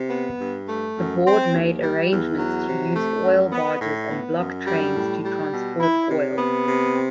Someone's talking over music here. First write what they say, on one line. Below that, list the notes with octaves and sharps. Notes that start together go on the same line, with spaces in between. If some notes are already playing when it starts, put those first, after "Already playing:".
The board made arrangements to use oil barges and ‘block’ trains to transport oil.
Already playing: C3
B3
G2
A3
F#2
C4
D#2
G3
E2
F#3
C3
A3
F#2
B3
A2
B3
F#2
G3
A2
G3
B2
E4
C3
B3
C3
C4